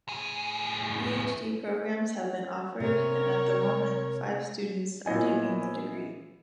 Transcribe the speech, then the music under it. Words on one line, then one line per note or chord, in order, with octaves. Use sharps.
Ph.D.-programmes have been offered and at the moment five students are taking the degree.
A2 G#4
C3 A#4 C#5
A#2 B3 E4 D#5 G#5